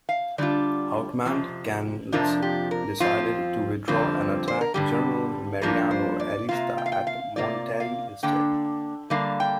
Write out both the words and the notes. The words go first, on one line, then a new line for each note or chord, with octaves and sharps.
Outmanned, Canales decided to withdraw and attack General Mariano Arista at Monterrey instead.
F5
D3 G3 D4 F4 D5
F2 C3 F3
F2 C3 F3 D4 F4 A#4
G4
A#4
F2 F3 C4 F4
F2 D3 G3 C4 F4
C5
A#4
G2 D3 G3 G4
G2 F3 A#3 D4 F4 A#4
C5
D5
C3 A#3 F4 F5
G5
F5
G5
F5
C3 A#3 F4 D5
F5
D3 A#3 D4 G5
D3 G3 A#3 D4 F5
G5